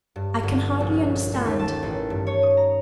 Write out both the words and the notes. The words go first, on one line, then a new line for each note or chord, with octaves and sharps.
I can hardly understand.
G2
G1
A#1
C#4
A3
D#2
A5
A1
G2
C#5
D#6
A#5